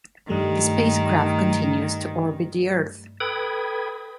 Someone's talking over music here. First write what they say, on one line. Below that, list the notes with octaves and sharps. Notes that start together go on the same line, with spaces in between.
The spacecraft continues to orbit the Earth.
G2 D#3 G3 A3
A4 B4 G5 B5 D#6 G#6